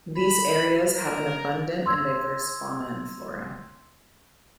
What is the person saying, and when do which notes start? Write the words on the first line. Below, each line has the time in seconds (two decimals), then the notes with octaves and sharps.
These areas have an abundant and diverse fauna and flora.
0.17 B5
0.95 A#4
1.86 C6 E6 G#6